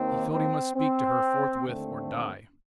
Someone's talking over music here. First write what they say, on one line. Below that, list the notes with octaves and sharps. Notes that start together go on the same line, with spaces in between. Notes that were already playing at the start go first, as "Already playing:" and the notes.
He felt he must speak to her forthwith, or die.
Already playing: D#2 D#3 A#3 C4
C4
C4
D#2 D3 A3 C4